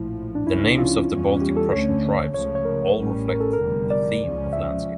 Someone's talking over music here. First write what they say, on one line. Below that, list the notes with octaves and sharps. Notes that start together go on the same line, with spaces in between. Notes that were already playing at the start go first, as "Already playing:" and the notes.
The names of the Baltic Prussian tribes all reflected the theme of landscape.
Already playing: A#1 A2 F3 E4
D4
C#2 C#3 F3 C#4 E4
D4
F4
E2 E3 G3 C#4
G4
A4
D2 D3 A3 C#4 C#5
C#2 C#3 F3 A3 C#5
C#5
A#4
A1 A2 G3 C#4
A#4
A4
A#4
F1 E2 D3 G3
D5
C#2 C#3 F3 C#4
E5